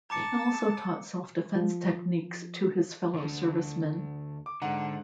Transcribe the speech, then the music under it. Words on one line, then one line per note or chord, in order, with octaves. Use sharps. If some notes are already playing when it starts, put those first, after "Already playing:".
He also taught self-defense techniques to his fellow servicemen.
A5 A#5 D6 C#7
F3
D2 D3
D6
G#2 D3 F#5 A#5